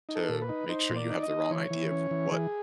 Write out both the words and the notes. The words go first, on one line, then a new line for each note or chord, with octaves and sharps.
to make sure you have the wrong idea of what
D#4
A4
A#2
B4
D#4
D#4 C5
A#2
D5
D#4
D#5
D#4
E3 C#5
E3
C#4
E3
E3 G#4